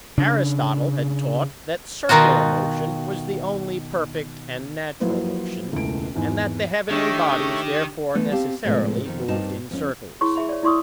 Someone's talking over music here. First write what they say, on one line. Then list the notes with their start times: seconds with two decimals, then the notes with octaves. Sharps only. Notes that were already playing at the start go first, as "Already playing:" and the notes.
Aristotle had taught that circular motion was the only perfect and natural motion, and that the heavenly bodies therefore necessarily moved in circles.
0.18 C#3 D4
2.09 B2 D#3 D#4 F4 F#4
5.00 F3 F#3 A#3 E4 B4 C5
5.72 E1 C#2 E3 A3 D7
6.15 G#1 E2 G#2
6.91 D#3 A3 D4 G4 C#5 E5
8.14 D3 E3 A3 B3 D4
8.31 C4 G4 F5 A5
8.65 A2 C3 F3 G3 G#3 B3
9.05 F2 D#3
9.28 G2 A#3 C4 D#4 A5
9.71 F2 C#4
10.21 E4 G#4 C#5 C6 C#6
10.36 G#4 E5 B5
10.49 C#5 D5
10.63 E4 D5 C6 C#6 D#6 E6